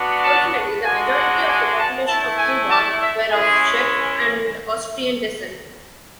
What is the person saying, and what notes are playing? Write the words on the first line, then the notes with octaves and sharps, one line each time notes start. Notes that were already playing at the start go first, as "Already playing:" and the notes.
Originally the majority of the population of Cuba were of Czech and Austrian descent.
Already playing: B3 D4 F#4
A5
G#3 D4 F#4 G#5
F#5
G#5
A5
A3 E4 A5
G#5
A5
E5
G#3 C#4 E4 G#4